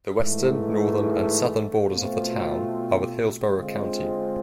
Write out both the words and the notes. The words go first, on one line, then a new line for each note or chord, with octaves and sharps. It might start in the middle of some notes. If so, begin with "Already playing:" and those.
The western, northern, and southern borders of the town are with Hillsborough County.
G#2 E3 A3
B2 A3 C4 F4
D3 G#3 C4 F4